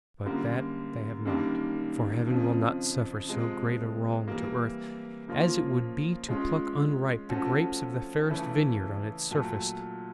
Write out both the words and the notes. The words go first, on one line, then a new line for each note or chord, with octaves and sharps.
But that they have not, for Heaven will not suffer so great a wrong to Earth, as it would be to pluck unripe the grapes of the fairest vineyard on its surface.
F#2 D3 G3 A#3
F#2 D#3 G3 A#3 D4
F2 C#3 F3
C3 F3 G#3
E3 G3 A#3
C#3 F3 A#3 C#4 F4
G#3 C#4 F4
F3 A3 C#4 F#4 A4
C#3 E3 A3 C#4 E4
A#2 F#3 A3